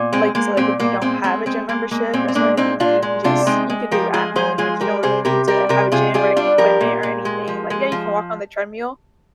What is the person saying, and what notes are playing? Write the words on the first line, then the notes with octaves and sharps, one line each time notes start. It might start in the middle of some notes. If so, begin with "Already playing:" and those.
like you said, like, if you don't have a gym membership, that's one of the things that you can just you can do at home, like, you don't really need to have a gym or any equipment or anything, like, yeah, you can walk on the treadmill,
Already playing: A#2
G#3 C4
G#3 A#3
A#2 C4
A#2 A#3
G#3 C4
G#3 C4
G#3 C4
G#3 A#3
G#3 A#3
A#2 C4
C4
G#3 A#3 D4
A#2 C4 D#4
A#2 D4 F4
G#3
C3 D4 F4
G#3 C4 D#4
G#3
F3 G4 A#4
G#3 F4 G#4
F3 G#4 C5
G#3 F4 G#4
G3 G4 A#4
C3 G#4 C5
C3 G4 A#4
G3 G4 A#4
C3 G4 A#4
C3 F4 G#4
G3 F4 G#4
G3 D4 F4
F3 G4 A#4
A#2
A#2
G#3
F3
G#3
F3